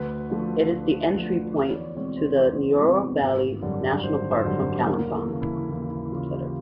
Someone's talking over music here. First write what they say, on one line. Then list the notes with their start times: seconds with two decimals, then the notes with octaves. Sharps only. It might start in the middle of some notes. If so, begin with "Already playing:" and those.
It is the entry point to the Neora Valley National Park from Kalimpong.
Already playing: D2 B4
0.30 D3 F3 A3
0.71 D2
1.13 D3 F3 A3
1.55 E2
1.69 C#5
1.76 D5
1.96 B2 G#3 C4 C#5
2.17 C5
2.37 E2 B4
2.79 B2 G#3 C4
3.21 G#1
3.62 F#2 D3 G3
4.03 G#1 C5
4.31 C5
4.45 F#2 D3 G3
4.87 D#2 A#4
5.15 A4
5.28 C#3 E3
5.42 E4
5.70 D#2 E4
5.90 E4
6.12 C#3 E3 F4
6.32 G4